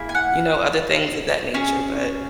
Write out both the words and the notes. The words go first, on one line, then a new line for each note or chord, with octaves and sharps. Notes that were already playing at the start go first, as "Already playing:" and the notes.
you know, other things of that nature, but
Already playing: A#3 E4 G#4
G#5
F#5
C#4 G#4